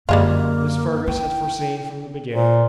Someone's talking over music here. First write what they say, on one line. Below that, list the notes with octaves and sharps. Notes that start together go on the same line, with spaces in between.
This Fergus had foreseen from the beginning.
F#2 D3 G3 G#3 A#3 F4
E4 G5
A#2 C5